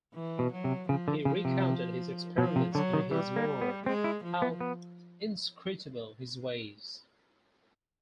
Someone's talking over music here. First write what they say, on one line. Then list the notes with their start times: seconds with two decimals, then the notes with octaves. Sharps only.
He recounted his experience in his memoir, How Inscrutable His Ways!
0.14 E3
0.39 B2
0.52 F#3
0.64 C3
0.89 C#3 F3
1.08 D3
1.25 C#3 F3
1.45 C3
2.38 B2 F3
2.56 C3
2.75 D3 F#3
2.94 D#3
3.11 E3 G3
3.36 A#3
3.62 B3
3.86 G#3 C4
4.04 E4
4.24 F3
4.42 B3
4.61 B3